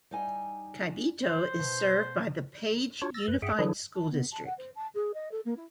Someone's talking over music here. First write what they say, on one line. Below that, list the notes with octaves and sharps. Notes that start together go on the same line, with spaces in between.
Kaibito is served by the Page Unified School District.
G3 D#4 G#5
C5
B2
D4 F4 F#4 C#5
E6 A6 A#6
F#2 B4
G2 G#4 E5 F#5 G5
D3 E3 F#3 D4 E4 G#4
A5
B3
A5
F#5
C5
A5
G#4
D#5
A4
A#3
E4